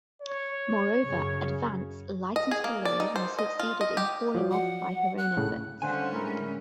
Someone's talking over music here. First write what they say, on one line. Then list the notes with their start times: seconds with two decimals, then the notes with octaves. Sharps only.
Moreover, "Advance" lightened her load and succeeded in hauling off by her own efforts.
0.22 C#5
1.05 F#2 C#3
2.36 D#5
2.51 G#4
2.64 A#3
2.85 D5
3.00 D#4
3.16 C5
3.39 D#5
3.59 F4
3.81 D#5
3.97 G4
4.35 F3 F#3 D5
4.51 F#5
5.18 F#6
5.37 A2 C#3
5.82 D3 G3 C#4 C5 F5 F#5 G#5
6.13 A2 G#3 E4 A#4